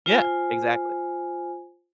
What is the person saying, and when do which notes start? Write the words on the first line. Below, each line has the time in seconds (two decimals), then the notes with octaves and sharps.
Yeah. Exactly.
0.06 F4 C5 G#5